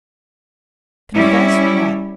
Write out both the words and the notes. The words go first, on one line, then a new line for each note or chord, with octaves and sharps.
"Confess what?"
G3 C#4 E4